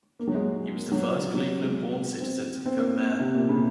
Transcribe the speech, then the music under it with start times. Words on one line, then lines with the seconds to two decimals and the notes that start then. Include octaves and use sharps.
He was the first Cleveland-born citizen to become mayor.
0.19 A#3
0.27 F#3
0.34 G#3
0.77 A#3
0.92 F#3
1.06 F3
1.34 F#3
1.63 G#3
2.20 C4
2.66 C4
2.77 A#3
3.19 C3
3.34 A#2
3.49 C#3